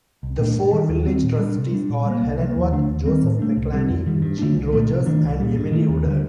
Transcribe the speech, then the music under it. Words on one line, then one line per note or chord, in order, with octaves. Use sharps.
The four village trustees are Helen Worth, Joseph McLarney, Gene Rogers, and Emily Woodhead.
C2
A#2 A3 D4
G2
D#3 G3
D#2
D#3 G3 C4
A#2
G3 A#3 D4
C3
G3 D4
A#2
G3 A#3
C2
C3 F3 A#3
D#2
D3 A3 D4
D#2
D#3 G3 C4
A2
A3 D4
C2
C3 G3
F2
D#3 G3
G2
D3 A3 D4
C2
A#2 F3 A3
C3
D#3 A3 D4
C2
A#2 G3
G2
D#3 A3
D#2
D3 G3